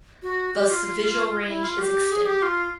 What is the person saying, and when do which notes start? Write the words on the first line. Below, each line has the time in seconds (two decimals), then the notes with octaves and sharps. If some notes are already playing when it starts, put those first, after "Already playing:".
Thus the visual range is extended.
0.22 F#4
0.54 G4
0.70 F4
1.48 E4
1.64 F4
1.79 G4
2.11 G#4
2.26 G4
2.42 F4